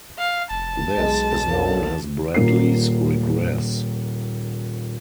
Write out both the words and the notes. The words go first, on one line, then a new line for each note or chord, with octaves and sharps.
This is known as Bradley's regress.
F5
F1 A5
B1 G#3
D3 F#3 A#3
D#1 A#3 C7